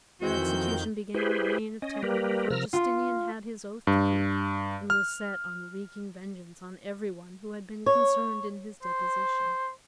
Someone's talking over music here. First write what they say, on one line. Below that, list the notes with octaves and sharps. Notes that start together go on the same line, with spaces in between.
Their execution began a reign of terror, for Justinian had his oath to keep, and was set on wreaking vengeance on every one who had been concerned in his deposition.
F2 D#3 E3 C4 F#4 G6
E4 G4 G#4 B4 C5
C#4 D#5
G3 A#3 G4 A#4 B4
C3 F3 A#4 A#5 E6 F6
F4
G2
F6
C#5
C5